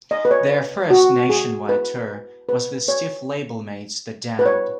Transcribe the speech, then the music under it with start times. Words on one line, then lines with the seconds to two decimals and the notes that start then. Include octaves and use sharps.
Their first nationwide tour was with Stiff labelmates the Damned.
0.11 D#5
0.25 B4
0.31 C#5
0.90 F#4
1.29 G#4
1.69 B4
2.49 B4
2.88 C#5
4.39 B4
4.46 C#5